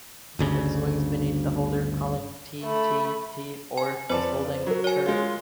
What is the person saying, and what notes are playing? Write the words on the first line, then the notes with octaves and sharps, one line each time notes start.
It swings beneath the holder, calling "tee, tee, tee" or a scolding "churr".
G1 D2 C#3
A3 B5
G#5
F2 B4 C5 D5 A5
F#3 F#4 A#4
C#5 G#5
G#3 F4